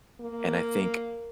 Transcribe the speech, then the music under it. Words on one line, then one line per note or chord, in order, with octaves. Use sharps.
and I think
A#3